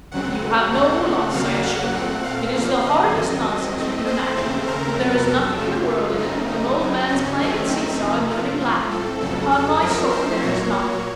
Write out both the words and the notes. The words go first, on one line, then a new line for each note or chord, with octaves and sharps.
"You have no loss, I assure you; it is the horridest nonsense you can imagine: there is nothing in the world in it but an old man's playing at see-saw and learning Latin; upon my soul, there is not."
D#2 C#3 F#3 C4 F#5
D#2 C#3 A3 C4
D#2 C#3 F#3 A#3 F5
F#5
A#2 A3 C4
F5
D#2 C#3 F3 A#3 F5
D#5
F#2 D#3 F#3 C4
A2 A3 C4
C5
D#2 C#3 A3 C4
A#4
F2 C3 F#3
A4
F#2 C#3 F#3 A3 F4
F#2 C#3 A3 C4 D#4
D#4
F#2 C#3 F#3
C#4
F#2 D#3 A3 C4
D#4
C3 F3 A3
F4
A2 A3 C4
A4
F2 C#3 F#3 A4
A4
F#2 F3 A3 C4 A#4
C5
A#2 F#3 A#3 C#5